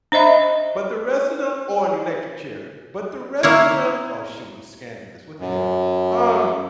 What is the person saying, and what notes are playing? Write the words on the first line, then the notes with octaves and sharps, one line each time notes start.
but the rest of them Oh, and Electric Chair, but the rest of them oh, shoot, and Scandalous, what the hell? Um,
D4 C5 D#5 E5 B5
A#3 E4 C#5
F#2